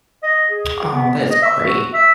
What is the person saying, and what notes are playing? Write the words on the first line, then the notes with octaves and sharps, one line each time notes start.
Aw, that's great.
D#5
G#4
B3
D#5
E5
F#4
E5